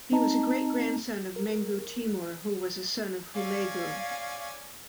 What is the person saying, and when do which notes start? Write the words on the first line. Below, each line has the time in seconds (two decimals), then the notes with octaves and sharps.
He was a great-grandson of Mengu Timur, who was a son of Hulegu.
0.12 C4 D#4 D#5 A5 A#5
1.36 A#4
3.35 C#4 D5 F5 G#5